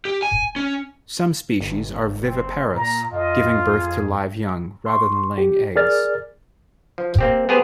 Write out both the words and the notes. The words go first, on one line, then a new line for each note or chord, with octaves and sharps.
Some species are viviparous, giving birth to live young, rather than laying eggs.
G4
G#5
C#4
G1
F#1 C4
A#2 A#5
F2 F4 D#5
G#4
C6 C#6
G4
G#4 A#4 D5 F6 A6
F3
A#3 C4 G4
B3 G4 G#4 A#4 C5